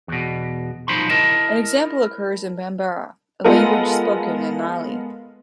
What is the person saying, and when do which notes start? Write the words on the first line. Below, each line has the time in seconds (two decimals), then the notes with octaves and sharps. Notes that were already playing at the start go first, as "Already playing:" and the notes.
An example occurs in Bambara, a language spoken in Mali.
0.08 E2 B2
0.88 B1 F3 D#4 C5 B5 C6
1.09 E4 A#4 D#5 A5
3.44 G#3 B3 F4 A4 A#4